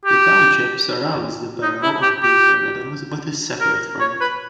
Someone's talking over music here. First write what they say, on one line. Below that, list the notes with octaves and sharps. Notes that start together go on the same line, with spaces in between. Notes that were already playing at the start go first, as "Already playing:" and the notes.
The township surrounds the borough of Beaver Meadows but is separate from it.
G4
D#4
E4
G4
G4
A#4
C#5
B4